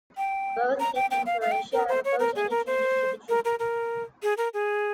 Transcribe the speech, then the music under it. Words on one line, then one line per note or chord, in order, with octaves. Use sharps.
Both it and Croatia have opposed any changes to the treaty.
G5
A#5
G5
G5
F5
F5
G5
A#4
C5
C#5
A#4
G#4
A#4
C5
A#4
A#4
A#4
G#4
A#4
G#4